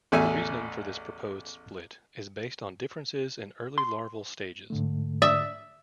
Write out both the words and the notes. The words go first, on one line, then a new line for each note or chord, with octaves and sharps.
The reasoning for this proposed split is based on differences in early larval stages.
A1 E2 A3 E5 G#5
C6
G#2 D3 A3
D5 E5 D#6